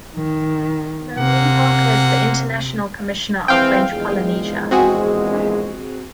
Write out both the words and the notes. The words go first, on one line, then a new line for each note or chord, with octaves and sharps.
Noelline Parker is the International Commissioner of French Polynesia.
D#3
C3 A#3 F#5
E3 G#3 C4 F5 G5
A#1 E2 G#3
C4 F#4 G#4